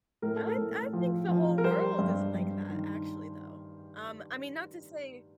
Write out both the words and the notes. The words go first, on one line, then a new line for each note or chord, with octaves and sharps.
I I think the whole world is like that actually, though. Um, I mean, not to say
A2 A#4
A4
A#4
A2
F3
F3
A#4
G3 C5
G2
G2
D#3